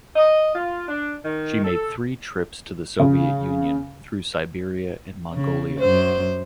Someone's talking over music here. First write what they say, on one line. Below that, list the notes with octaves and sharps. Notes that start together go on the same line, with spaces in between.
She made three trips to the Soviet Union, through Siberia and Mongolia.
D#5
F4
D4
D#3
A4
C#3
C#3
F#2 C5